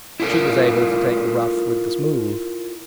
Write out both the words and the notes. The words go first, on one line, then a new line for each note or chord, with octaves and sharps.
She was able to take the rough with the smooth.
E4 F4 A4 A#4